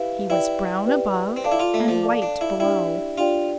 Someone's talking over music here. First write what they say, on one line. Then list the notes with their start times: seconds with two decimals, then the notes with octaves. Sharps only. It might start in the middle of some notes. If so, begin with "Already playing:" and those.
He was brown above and white below.
Already playing: E4 G4 B4 F5
0.30 E4 G4 B4 D5 G5
0.87 G4 B4 D5 G5
1.36 C4
1.44 D4 A4 D5 F5 A5 D6
1.52 E4
1.60 F4
1.74 A3
1.88 F3
2.03 A4 D5 F5 A5 D6
2.22 D4
2.41 E4
2.60 D4 E4 G4 D5 G5
3.18 D4 F4 G4 D5 G5